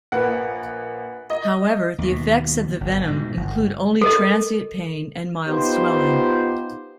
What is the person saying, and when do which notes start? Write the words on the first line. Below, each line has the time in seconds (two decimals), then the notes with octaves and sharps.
However, the effects of the venom include only transient pain and mild swelling.
0.12 A#1 A#3 B4 F#5
1.30 D#5
1.98 D#2 B2
2.81 G1
3.07 G#2 B2
3.37 G1
4.01 A4 A#4 D#5
5.48 B3 D#4 F4 G4 C5